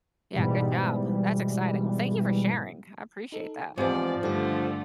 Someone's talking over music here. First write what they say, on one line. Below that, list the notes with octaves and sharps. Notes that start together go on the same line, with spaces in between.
Yeah, good job. That's exciting. Well, thank you for sharing. I appreciate that.
G#2 B2 E3 G3
D#4 A4
E2 G#2 F3 C4 G4 B4 D5
G2 D3 D#3 A3 G4 D5